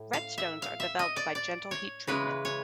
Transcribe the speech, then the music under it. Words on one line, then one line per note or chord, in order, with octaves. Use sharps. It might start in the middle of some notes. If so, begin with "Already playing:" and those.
Red stones are developed by gentle heat treatment.
Already playing: A2
F5
E5
F5
E5
D#5
D5
D5
C#5
C#3 E3 G#3 B4
C#5